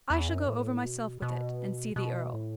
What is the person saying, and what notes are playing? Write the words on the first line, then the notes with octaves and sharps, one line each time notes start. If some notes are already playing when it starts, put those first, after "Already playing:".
I shall go over myself with it, and see the earl.
E2
F#2
A2
B2
B2
B2
A2